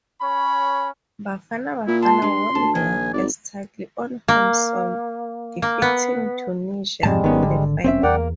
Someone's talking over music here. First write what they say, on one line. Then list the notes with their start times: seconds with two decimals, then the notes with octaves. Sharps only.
"Bafana Bafana" won their first title on home soil, defeating Tunisia in the final.
0.21 C#4 C#5 B5
1.87 A#2 E4
2.02 A5 C6
2.22 G2 G#3
2.55 D2 A5
2.75 A#1 D#3 G#5
3.14 G#1 D5
4.28 A#3
5.62 A#3
5.82 B3
7.03 F2 G#2 C3 E3 G3 G#3 A5
7.24 G#1 D#3 B3 C#4
7.42 D3
7.84 F1 C4 C#4 C#5 E5
8.03 E2 A#4 D5 F#5 G5
8.16 A#3